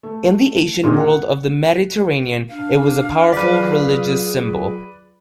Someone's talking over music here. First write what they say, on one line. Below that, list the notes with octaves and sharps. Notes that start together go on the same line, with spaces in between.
In the ancient world of the Mediterranean, it was a powerful religious symbol.
A3
A#2 D3 C4 D#4 F4 G#4
F#5
D4 F5
F#3 F4 G#4 B4 D5